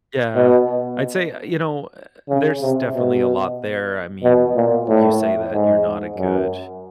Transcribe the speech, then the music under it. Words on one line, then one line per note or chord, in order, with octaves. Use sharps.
Yeah, I'd say eh, you know, uh, there's definitely a lot there, I mean, you say that you're not a good
B2
C#3
C3
B2
B2
A#2
A2
G#2
F#2